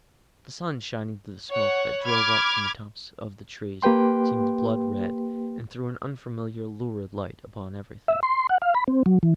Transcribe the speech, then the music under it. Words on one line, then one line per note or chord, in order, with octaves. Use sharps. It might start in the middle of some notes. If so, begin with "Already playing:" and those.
The sun, shining through the smoke that drove up from the tops of the trees, seemed blood red, and threw an unfamiliar lurid light upon everything.
C#5 F#5
B5 D6 F6 G#6
A#3 G4 B4 G5 C6
E5
C6
F#5
F5
B5
C4
F#3
E3